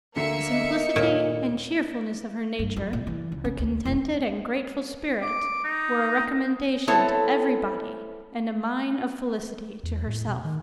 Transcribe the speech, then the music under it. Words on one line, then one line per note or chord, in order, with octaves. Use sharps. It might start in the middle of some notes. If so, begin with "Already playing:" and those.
The simplicity and cheerfulness of her nature, her contented and grateful spirit, were a recommendation to every body, and a mine of felicity to herself.
D2 D3 A#3 E5 C7 C#7
D#5
D#1 A#2 C#5
G2
F#2
A#2
E3
C#2
C#4
D2
E1
D6
D#4
B3 C4 E4 A4 C#5 A5
E2
A2
B2
D#3